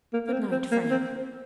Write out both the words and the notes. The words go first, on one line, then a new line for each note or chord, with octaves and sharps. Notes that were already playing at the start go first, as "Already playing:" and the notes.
"Good night, Frank."
A#3
A#3
C4
C4
A#3
C4